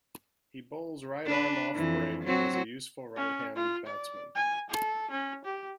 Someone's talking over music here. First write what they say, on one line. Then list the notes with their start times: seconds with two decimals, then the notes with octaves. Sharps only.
He bowls right-arm off break and is a useful right-hand batsman.
1.25 D4 B4
1.74 F2 E3
2.24 F#3 C4 F#4
3.16 C#4
3.55 F4
3.86 D5
4.35 G#5
4.70 A4
5.11 C#4
5.45 G4